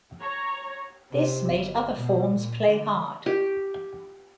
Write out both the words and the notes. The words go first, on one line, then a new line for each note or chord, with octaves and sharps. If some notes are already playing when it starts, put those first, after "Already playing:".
This made other forms play hard.
C#5 A#5
C3
G1
B2
A#2
D3
G4